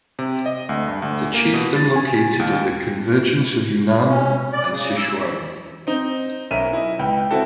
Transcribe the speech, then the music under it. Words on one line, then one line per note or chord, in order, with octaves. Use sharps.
The chiefdom located at the convergence of Yunnan and Sichuan.
C3
D#5
D2
G2
D2
A#3
B2
A6
G#5
D#2
C#4
D5
C#3
E6
C4 D#4
B1 C#4 A#4 E5 D#7
E4 D#5
C#2 B4 G5
C4 E4 F#4 A4